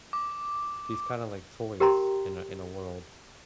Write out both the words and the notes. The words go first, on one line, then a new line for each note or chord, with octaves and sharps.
these kinda, like, toys in a in a world,
D6
G4 A#4 G5 A#5 C6